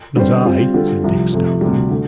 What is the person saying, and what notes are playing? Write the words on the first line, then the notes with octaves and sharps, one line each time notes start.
"Not I," said Dick, stoutly.
D3 G3 C4 G4 C5
G3 C4 F4
D3 G3 F4 A4
C2 C3 F3
F2 C3 F3 A3
D2 C3 G3
D3 A3